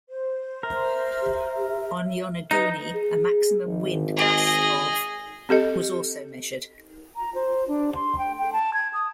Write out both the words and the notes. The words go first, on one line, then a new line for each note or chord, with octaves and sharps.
On Yonaguni, a maximum wind gust of was also measured.
C5
A#4 E5
D#4 B4
G#4
G#1
G#4 D#5
C4 G4 A4 D#5
A#5
C5
D4
C6
G5
G5
A5
G#6
D#6